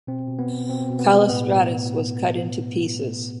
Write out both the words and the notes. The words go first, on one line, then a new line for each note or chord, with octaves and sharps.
Callistratus was cut into pieces.
B2 C4
B2
B3
B2
B2 C4
B2
B3
B2
A2 B3
A2